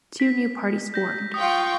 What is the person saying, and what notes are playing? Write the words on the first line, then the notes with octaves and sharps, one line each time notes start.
Two new parties formed.
B6
G6 A#6
F4 G5 C#6 D#6